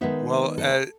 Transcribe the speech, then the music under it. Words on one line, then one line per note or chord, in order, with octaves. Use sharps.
Well, a
D#3 G#3 B3 D#4 E5
A4